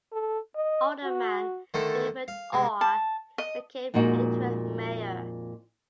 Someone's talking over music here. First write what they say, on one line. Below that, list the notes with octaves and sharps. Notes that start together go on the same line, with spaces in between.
Alderman David Orr became interim Mayor.
A4
D#5
F#4
D3 D#3 A3 A4 C5
F5
C3 G#3
A5
D#5
F2 A#2 G#3 D#4 F#4